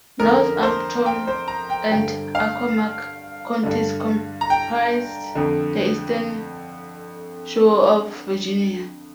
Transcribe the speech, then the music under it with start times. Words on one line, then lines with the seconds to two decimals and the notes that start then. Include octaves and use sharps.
Northampton and Accomack Counties comprise the Eastern Shore of Virginia.
0.19 F2 D3 A#4
0.63 C5
1.06 G5
1.27 C5
1.48 A#5
1.70 G5
1.91 G2 D3 G5
2.35 F5
3.63 G2 D3
4.41 A#5
4.50 G5
5.35 F2 D3